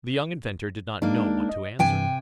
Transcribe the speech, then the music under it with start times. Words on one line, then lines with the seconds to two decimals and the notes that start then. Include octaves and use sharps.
The young inventor did not know what to answer.
1.02 G#3 A#3 D4 D#4
1.49 D#5
1.79 G2 C3 E3 G5 G#5